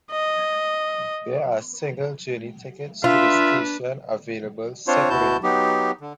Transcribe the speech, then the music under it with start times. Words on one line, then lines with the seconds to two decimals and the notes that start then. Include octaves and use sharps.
There are single journey tickets to the station available separately.
0.11 D#5
3.04 D4 F4 B4 E5
4.87 C4 D4 F4 C5 C#5
5.10 D2 B2 E4 F#4 A5 G6
5.43 F#3 B3 D#4 G4
6.01 D3